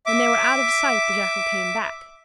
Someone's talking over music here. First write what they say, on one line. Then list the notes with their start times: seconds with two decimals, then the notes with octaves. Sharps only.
When they were out of sight the jackal came back.
0.06 E5 D6